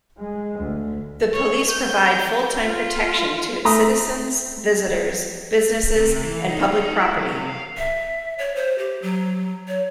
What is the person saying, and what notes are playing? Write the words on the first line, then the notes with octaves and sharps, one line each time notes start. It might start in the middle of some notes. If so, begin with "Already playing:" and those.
The police provide full-time protection to its citizens, visitors, businesses, and public property.
G#3
D2
C#5
G6
F4
A3 A#5 D#6
C3
E3
D#4
F4
D#4
E4
F#3
C3
F5
E5
C#5
C5
G4
F#3
C#5